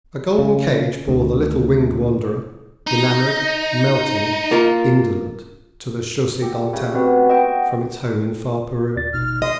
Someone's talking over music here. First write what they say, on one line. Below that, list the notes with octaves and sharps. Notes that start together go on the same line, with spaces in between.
A golden cage bore the little winged wanderer, enamored, melting, indolent, to the Chaussee D'Antin, from its home in far Peru.
C#3
D2
D#4
A#3 F4 A#4
G4 A4
A2 C#3
B2 C4 F#4 B4
C4 F#4 D#5 G5
D#2 D5 A6
G#1 B2 D#4 F6
D#5 C6